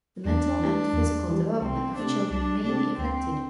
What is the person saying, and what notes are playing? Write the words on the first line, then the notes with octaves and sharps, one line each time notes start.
The mental and physical development of children may be affected.
E2 D4
E3 G3
E2
E3 G3
C2 C4
C3 A3 C4 D4
C2 D4
C3 A3 C4 D4
D2 C4
D3